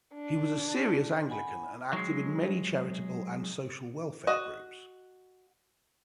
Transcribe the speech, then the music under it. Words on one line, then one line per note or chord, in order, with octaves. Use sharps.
He was a serious Anglican and active in many charitable and social welfare groups.
D4
F#5 G#5 B5
F#3 G#3
F#4 D#5